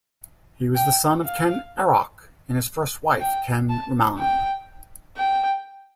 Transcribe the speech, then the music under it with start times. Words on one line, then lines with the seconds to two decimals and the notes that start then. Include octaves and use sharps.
He was the son of Ken Arok and his first wife, Ken Umang.
0.76 G5
1.25 F5
3.21 G5
3.69 A5
4.19 G5
5.17 G5